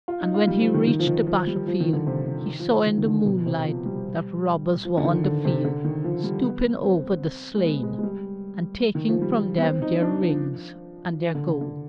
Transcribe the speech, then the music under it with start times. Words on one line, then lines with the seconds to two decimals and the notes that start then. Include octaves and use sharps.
And when he reached the battle-field, he saw in the moonlight that robbers were on the field stooping over the slain, and taking from them their rings and their gold.
0.08 F4
0.21 D#4
0.34 F4
0.47 G3
0.60 F3
0.74 D#3
0.87 D#3
0.99 F3
1.07 D#3
1.27 F3
1.47 G3
1.67 F3
1.80 D#3
1.93 D3
2.07 C3
2.26 D3
2.46 D#3
2.60 F3
2.73 F3
2.86 D#3
2.98 D#3
3.06 D3
3.25 B2
3.46 C3
3.65 F3
3.86 G3
4.85 F3
4.97 D3
5.05 D#3
5.24 D3
5.45 C3
5.65 D3
5.85 D#3
6.04 F3
6.24 G3
6.44 B3
6.84 C4
7.55 G#3
7.64 B3
7.83 G#3
7.99 G#3
8.03 G3
8.95 D#3
9.09 F3
9.22 G3
9.58 B3
9.62 C4
9.82 D#4
10.02 D4
10.22 F3
11.35 D3
11.48 D3
11.61 D3